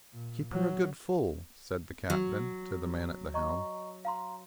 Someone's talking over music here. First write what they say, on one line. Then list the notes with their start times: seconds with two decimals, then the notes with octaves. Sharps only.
"Keep her a good full," said the captain, to the man at the helm.
0.13 A#2
0.52 F#3
2.10 F#3
3.34 D#5 A#5 C#6
4.05 F5 A#5 C6